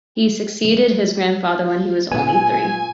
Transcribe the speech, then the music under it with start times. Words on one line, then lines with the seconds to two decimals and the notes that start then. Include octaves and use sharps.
He succeeded his grandfather when he was only three.
2.12 A#2 B3 G#5